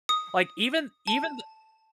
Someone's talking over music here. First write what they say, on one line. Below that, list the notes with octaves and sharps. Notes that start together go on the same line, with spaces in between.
like even, even th
D#6
A5